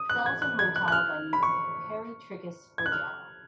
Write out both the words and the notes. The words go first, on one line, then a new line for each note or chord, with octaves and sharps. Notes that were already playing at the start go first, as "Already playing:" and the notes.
Cells are motile by means of peritrichous flagella.
Already playing: D#6
F#6
G#6
F#6
G#6
F#6
F#6
F6
B5
C#6
G#6
F#6
F6